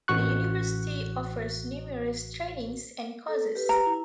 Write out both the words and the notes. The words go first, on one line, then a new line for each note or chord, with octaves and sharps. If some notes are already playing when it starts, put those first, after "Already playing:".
The university offers numerous trainings and courses.
A1 F#4 C#6 F#6
A4
G4 B4
A#5
E4